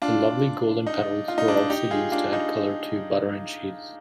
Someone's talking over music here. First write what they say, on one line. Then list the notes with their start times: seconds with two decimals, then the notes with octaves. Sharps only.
The lovely golden petals were also used to add color to butter and cheese.
0.02 D4 F4
0.87 D#4
1.28 F4
1.38 D#4
1.48 D4
1.58 D#4
1.70 D#4 G4
1.91 F4 G#4
2.12 D4 F4
2.33 D#4